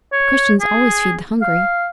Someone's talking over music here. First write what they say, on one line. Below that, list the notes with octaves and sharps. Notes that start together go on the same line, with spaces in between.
Christians always feed the hungry.
C#5
G#4
F5